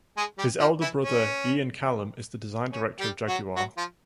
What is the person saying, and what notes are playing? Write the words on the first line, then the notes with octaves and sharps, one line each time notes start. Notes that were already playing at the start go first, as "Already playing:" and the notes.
His elder brother Ian Callum is the Design Director of Jaguar.
G#3 G#4
G3 G4
F3 F4
E3 E4
C#4
C#4
G3 G4
F#3 F#4
F#3 F#4
F3 F4